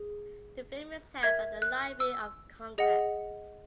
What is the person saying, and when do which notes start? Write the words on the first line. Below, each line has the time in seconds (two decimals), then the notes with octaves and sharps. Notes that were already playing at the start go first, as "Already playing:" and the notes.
The film is held by the Library of Congress.
Already playing: G#4
1.23 A#4 E5 G#6
1.62 F#6
2.00 E6
2.78 G#4 D#5 F#5